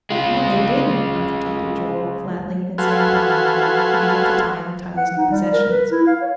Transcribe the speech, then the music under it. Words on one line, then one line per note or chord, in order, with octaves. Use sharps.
"No, they didn't," contradicted Joel, flatly; and sitting down on the floor he began to tie and untie his new possessions.
G#3 F4
F#4 A4 B4 F5 G#5 C6
F#5
D#4
G3
A#4
B4
E4
F5
C#5